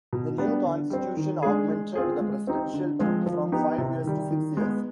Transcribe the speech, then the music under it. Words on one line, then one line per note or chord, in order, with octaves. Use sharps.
The new constitution augmented the presidential term from five years to six years.
B2
G3 B3 D4
D3
G3 C4
D#3
G#3 D4 G#4
G#3
C4 F4 G#4
G#3
C4 D#4 G4
D3
F3 G#3 C4
F3
B3 D#4 G4
C3
D#3 G3
D#3
G#3 B3